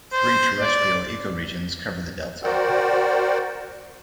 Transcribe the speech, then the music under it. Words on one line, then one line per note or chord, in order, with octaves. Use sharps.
Three terrestrial ecoregions cover the delta.
C5
D5
F#4 A#4 C5 D5 F#5 G5